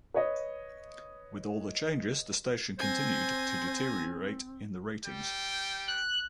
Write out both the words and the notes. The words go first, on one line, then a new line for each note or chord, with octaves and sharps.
With all the changes, the station continued to deteriorate in the ratings.
B4 C#5 D#5
C4 C5 G#5 A#6
G3 G5
F#6